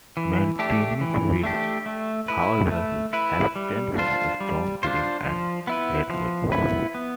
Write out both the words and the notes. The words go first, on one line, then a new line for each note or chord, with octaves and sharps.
Mandaeans will, however, abstain from strong drink and red meat.
E3
A3 D4 G4
E3
A3 D4 G4
A3
E4 B4
A3
E4 B4
G3
D4 F4 C5
G3
D4 F4 C5
F3
B3 E4 B4
F3
B3 E4 B4
B3